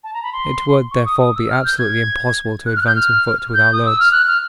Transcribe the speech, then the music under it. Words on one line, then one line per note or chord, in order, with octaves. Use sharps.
It would, therefore, be absolutely impossible to advance on foot with our loads.
A5
A#5
B5
C6
C#6
D#6
D#6
E6
F6
G6
G#6
F#6
F6
F#6
G6
F6
G6
D#6
E6
F6
F#6
F6